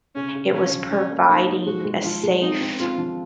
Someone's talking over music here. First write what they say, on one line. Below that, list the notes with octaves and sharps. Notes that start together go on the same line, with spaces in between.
it was providing a safe
C#3 C#4
C#3
F3 C#4
F3
F3 C#4
A#3
A#3 D#4
D#4
G#3 F#4
G#3
F3 F4
G#3
C4 D#4
C4
C4 F4
F3